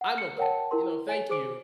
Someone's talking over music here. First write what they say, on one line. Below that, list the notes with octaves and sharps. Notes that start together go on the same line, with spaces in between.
I'm okay." You know, "Thank you,
F#5 F6
C#7
A#4 C#5 F#5 G5 A5
E4 A#4 C6
C#5 G#5 D7
G#4 C5 D6 D7